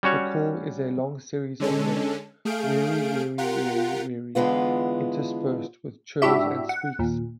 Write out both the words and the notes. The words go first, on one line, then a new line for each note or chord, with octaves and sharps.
The call is a long series of notes, "weary-weary-weary-weary", interspersed with churrs and squeaks.
G3 C#4 F#4 C#5
D3 G#3 C#4 A4
A3 G#4 F5 G6 D7
F4 G4 A#4 F#5
D3 E3 G#3 B3 F4
G#2 D4 E4 F#4 G4 E5
F#5
D#2 A#2